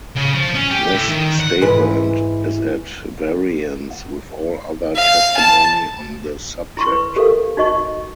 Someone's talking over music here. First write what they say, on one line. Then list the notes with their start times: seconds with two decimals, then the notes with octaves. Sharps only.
This statement is at variance with all other testimony on the subject.
0.17 C#3
0.35 F3
0.54 C#4
0.71 G4
0.94 A2
1.10 D#3
1.40 F#5
1.61 G#2 E3 B4
4.96 F5
5.37 A5
6.77 E4 C6 C#6
6.92 B4
7.16 G4 A4 A#4 F5
7.57 D#4 F#4 D#5 C#6